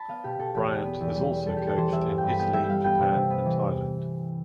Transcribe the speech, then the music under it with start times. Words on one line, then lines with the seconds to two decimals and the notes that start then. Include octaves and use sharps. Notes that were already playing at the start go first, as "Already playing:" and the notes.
Bryant has also coached in Italy, Japan and Thailand.
Already playing: A5 B5
0.08 B3 F5
0.24 B2 G4
0.39 B2 A4
0.54 E2 G4
0.70 B3
0.85 B3
1.01 E2
1.16 G3
1.31 G3
1.46 G3 A4
1.57 G4
1.62 G3 A4
1.77 E3 C5
1.92 E3 E5
2.07 G2 F5
2.18 G5
2.23 G2 B5
2.39 B3 G5
2.53 G3 E5
2.63 G5
2.69 G3 F5
2.84 B3 G5
2.99 C3
3.15 C3
3.30 B3
3.46 E3